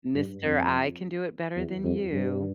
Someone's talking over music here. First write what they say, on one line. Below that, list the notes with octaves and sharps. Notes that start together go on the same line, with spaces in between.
Mister, "I can do it better than you."
G2
F2
E2
F2
G2